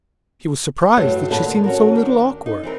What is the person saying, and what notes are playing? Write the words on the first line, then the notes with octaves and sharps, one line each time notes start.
He was surprised that she seemed so little awkward.
G2 E3 F#3 A3
A#2 D3 A#3 B4 A5
C#4 F#4 A#4
D#3 D4
D#4
E3 C4 A#4